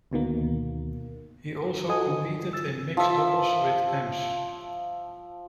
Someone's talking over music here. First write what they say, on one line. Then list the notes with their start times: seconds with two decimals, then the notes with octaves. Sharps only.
He also competed in mixed doubles with Emms.
0.12 D2 B2 D#3 A#3
1.89 F#4 A4 D#5 G#5 D#6
2.08 D3 D#3
2.53 E6 A6
2.97 F3 E5 A5